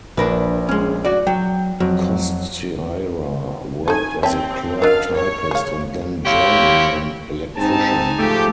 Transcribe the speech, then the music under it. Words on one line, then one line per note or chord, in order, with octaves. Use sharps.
Kostyra worked as a clerk-typist and then journeyman electrician.
A#1 D4 A#4 B4
G#3 C#4
F#4 D5
F#3 G5
F2 F#3
D#4 G4 A4 G#5
C4 C#5 D5 E5 G5 A5
D4 F#4 A#4 D#5 F5 A5
C#5
G#4 F5
E4 F#4 G4 C5 C#5 F5
G#2 C4 D#4 G#5 A5
G#2 F3 A3 G4